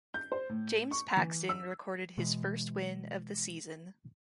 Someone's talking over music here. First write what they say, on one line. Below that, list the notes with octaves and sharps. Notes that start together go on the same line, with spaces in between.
James Paxton recorded his first win of the season.
G6
C5
A2
C#6
E3
E6
B2 E3 G#3